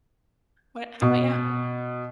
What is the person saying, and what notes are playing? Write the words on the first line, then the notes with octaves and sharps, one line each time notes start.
What how about you?
B2